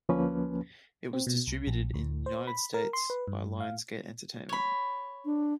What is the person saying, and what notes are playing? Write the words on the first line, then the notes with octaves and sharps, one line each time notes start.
It was distributed in the United States by Lions Gate Entertainment.
D2 F3 A#3 C#4 B4
C4
B2
C2
A#1
D2
C5
B5
A#4
C6
B4
G2
F5
C#5 B5
D4